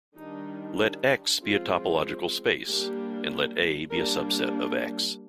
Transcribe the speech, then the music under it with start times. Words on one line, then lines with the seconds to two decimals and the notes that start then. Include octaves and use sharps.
Let "X" be a topological space, and let "A" be a subset of "X".
0.17 D#3 G3 D4 D#4
1.42 F3 G#3 C4 F4
2.66 G3 A#3 D4 G4
3.91 G3 A#3 D4 A#4